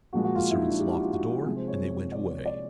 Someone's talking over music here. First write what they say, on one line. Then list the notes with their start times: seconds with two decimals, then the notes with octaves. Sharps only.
The servants locked the door, and they went away.
0.13 A#2 F3 G#3 F#4
0.24 F#4
0.35 F4
0.50 E4
0.57 D#4
0.69 D4
0.80 G4
0.90 F#4
1.02 F4
1.13 F#4
1.45 C3 F3 G#3 G#4
1.56 C5
1.68 C#5
2.12 D5
2.28 C#5
2.46 D5